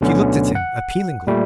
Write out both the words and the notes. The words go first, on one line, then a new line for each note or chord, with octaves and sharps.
She looked at him appealingly.
D2 B2 D3 F#3 B3 C#4
F#5
A#2 G3 A3